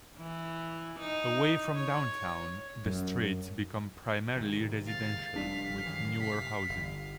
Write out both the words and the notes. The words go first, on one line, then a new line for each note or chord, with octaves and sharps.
Away from downtown, the streets become primarily residential, with newer housing.
E3
D#4
C#5
F#2
G#2 C3 D#3
F5 A6
F1 G3 D4 B6
F#2 D#3 E3
C3 B6
G1